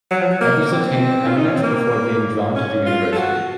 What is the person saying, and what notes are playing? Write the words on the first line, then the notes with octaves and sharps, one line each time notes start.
Others attained eminence before being drawn to the university.
F#3
F3
F#3
A#3
A#3
C4
F4
D#4
C#4
C4
A#3
C#4
F4
A4
F#4